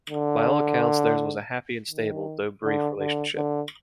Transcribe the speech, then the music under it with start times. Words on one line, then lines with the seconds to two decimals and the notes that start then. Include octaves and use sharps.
By all accounts, theirs was a happy and stable, though brief, relationship.
0.10 D3
1.91 D#3
2.63 D3
2.99 D3
3.36 D3